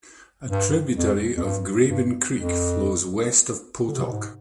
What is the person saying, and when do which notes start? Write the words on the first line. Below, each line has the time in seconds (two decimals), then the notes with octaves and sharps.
A tributary of Graben Creek flows west of Potok.
0.51 G2
0.97 F2
1.37 F2
1.43 G2
1.89 G2
2.36 F2
3.87 D3
3.95 C3
4.04 B2
4.12 G#2